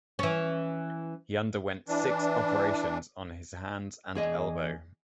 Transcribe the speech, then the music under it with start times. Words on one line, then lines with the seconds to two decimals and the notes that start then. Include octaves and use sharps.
He underwent six operations on his hands and elbow.
0.19 E3 C#4
1.88 E3 D4
4.15 E2 G#4 D#5